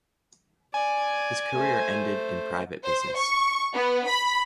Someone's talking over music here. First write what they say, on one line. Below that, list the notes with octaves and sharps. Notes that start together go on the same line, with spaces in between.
His career ended in private business.
D5 G#5
A3 C5
C5
C#6
B3
B5